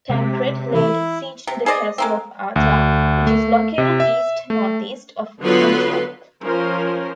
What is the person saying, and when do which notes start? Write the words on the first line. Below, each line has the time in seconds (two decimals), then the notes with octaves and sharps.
Tancred laid siege to the castle of Artah, which is located east-northeast of Antioch.
0.09 C3 G#3 D6 B6
0.74 E3 E4
1.47 C3
1.66 G#4 C5 D5 D#5
1.98 G#3 A#3 C4
2.56 D2
3.27 A3
3.78 C3
4.00 E5
4.50 A3
5.40 D3 F#3 B3 F4 B4 C6
6.42 F3 C#4 A#4 C5